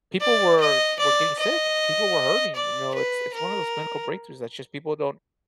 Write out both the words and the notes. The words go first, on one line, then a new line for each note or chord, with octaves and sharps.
people were were getting sick, people were hurting, you know? It's it's one of those medical breakthroughs that's just people don't
D5
D#5
D5
D#5
D5
B4
A#4